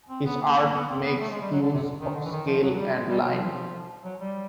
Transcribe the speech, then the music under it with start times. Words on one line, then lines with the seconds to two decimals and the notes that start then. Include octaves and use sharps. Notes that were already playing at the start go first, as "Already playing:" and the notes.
His art makes use of scale and line.
0.09 C4
0.25 B3
0.41 A#3
0.57 A#3
0.73 B3
0.89 C4
1.04 B3
1.20 A3
1.30 G#3
1.41 G3
1.51 F#3
1.62 D3
1.73 C3
1.83 D3
2.00 D#3
2.15 D3
2.25 E3
2.31 D#3
2.46 F3
2.62 F#3
2.74 F#3
2.78 G3
2.94 G#3
3.10 G3
3.20 F#3
3.31 F3
4.04 F#3
4.20 G3